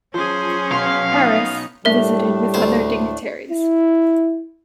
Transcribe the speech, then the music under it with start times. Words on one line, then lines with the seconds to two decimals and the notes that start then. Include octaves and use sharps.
Harris, visited with other dignitaries.
0.14 F3 F#3 C#4 G#4 C5
0.71 B2 F5 C6
1.11 B3 D#4
1.85 A2 G3 A3 D4 A#4 E5
2.54 D2 C5
3.50 E4